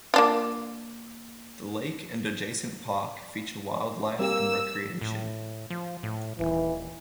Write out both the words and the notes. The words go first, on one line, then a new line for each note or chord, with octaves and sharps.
The lake and adjacent park feature wildlife and recreation.
A#3 D4 F4
G3 A#3 C4 G4 E6
A2
F3
A2
D#1 E3